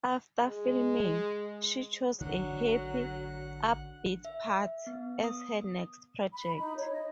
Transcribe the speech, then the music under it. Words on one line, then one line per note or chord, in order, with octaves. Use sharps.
After filming, she chose a "happy, upbeat part" as her next project.
G#3
A1 D3 F#3 D4 F#5 F#6
E5
B3
D#6
B5
D#4
C#5
D#5